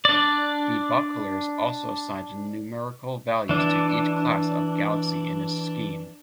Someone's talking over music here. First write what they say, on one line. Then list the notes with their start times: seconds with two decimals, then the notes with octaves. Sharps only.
De Vaucouleurs also assigned numerical values to each class of galaxy in his scheme.
0.05 D4 D5
3.49 E3 D4